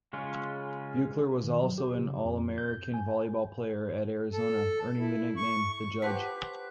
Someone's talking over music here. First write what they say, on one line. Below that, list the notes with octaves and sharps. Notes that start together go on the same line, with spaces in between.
Buechler was also an All-American volleyball player at Arizona, earning the nickname "The Judge".
C#3 G#3 C#4 F4
D#3
F#3
G4
C#3
F2
G6
G#5
A4
E4
C#6
G4 B4 C5 F#5 A5 B5 F#6 B6